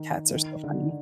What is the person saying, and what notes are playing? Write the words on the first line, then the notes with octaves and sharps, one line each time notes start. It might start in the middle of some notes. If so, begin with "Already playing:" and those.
Cats are so funny.
Already playing: D#3
D#3
D3